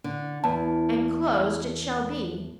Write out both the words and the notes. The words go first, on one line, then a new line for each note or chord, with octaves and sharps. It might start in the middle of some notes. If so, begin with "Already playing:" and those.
And closed it shall be.
D3
E2 A5